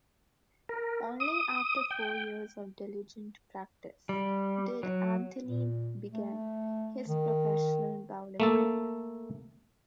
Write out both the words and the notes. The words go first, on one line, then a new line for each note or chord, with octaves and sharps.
Only after four years of diligent practice did Anthony began his professional bowling career.
A#4
D#6
G5
G3
F#3
A#2
A3
D#3
A3 A#3 A4